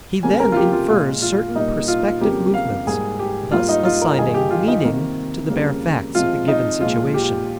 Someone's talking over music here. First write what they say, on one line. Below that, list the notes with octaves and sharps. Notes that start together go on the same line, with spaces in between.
He then infers certain prospective movements, thus assigning meaning to the bare facts of the given situation.
F2 C#3 G3 A#3 G#5
A#4
F4
G4
F4
A#2 G#3 F4
F4
A#2 G3 A#3 D#4
F4
F2 C#3 G3 A#3 G4
F5
G#2 G3 A#3 G#4
G4
G#2 G3 A#3 F4
D#4
F4
A#4
G2 D#3 A#3 G#4
G4
F4
D#4
C3 D#3 A#3
F2 C#3 G3 A#3
C3 F3 G#3 F4
D#4
A#2 F3 G#3 F4
G4